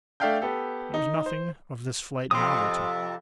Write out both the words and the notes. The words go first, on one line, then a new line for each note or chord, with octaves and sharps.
There was nothing of this flight novel to me.
A3 D4 E5 F5 G5 G6
B3 G4 A4
D#4
C5
F2 C3 C6 D#6